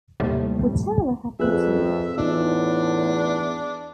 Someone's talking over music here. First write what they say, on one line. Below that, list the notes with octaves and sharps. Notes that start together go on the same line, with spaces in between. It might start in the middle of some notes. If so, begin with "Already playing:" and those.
Whatever Happened to...
D#2 A2 C3 G3 A3
F2 G#4 B4 E5 F#6
E2 A2 D4 D#4 F4